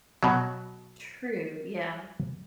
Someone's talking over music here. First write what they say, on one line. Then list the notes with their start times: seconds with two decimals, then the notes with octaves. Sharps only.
True, yeah.
0.23 B2 F#3